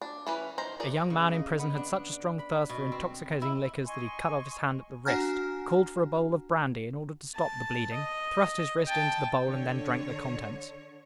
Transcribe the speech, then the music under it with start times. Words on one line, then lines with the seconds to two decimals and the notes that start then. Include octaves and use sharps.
A young man in prison had such a strong thirst for intoxicating liquors, that he cut off his hand at the wrist, called for a bowl of brandy in order to stop the bleeding, thrust his wrist into the bowl, and then drank the contents.
0.02 D4
0.27 E3 C#4 B4
0.58 D#3 C5 A#5
0.80 G#4 A#4 D5
1.10 C#3
1.34 D#5
1.59 B3
1.76 D4
2.39 B5
2.69 B2
2.92 C4
3.42 E4
3.85 D#5 G#5 C6 C#6
5.05 D4 F#4 F#5 G#5 A#5 F6
7.35 A5
7.93 D#5
8.88 G5 A5
9.46 D3 C#5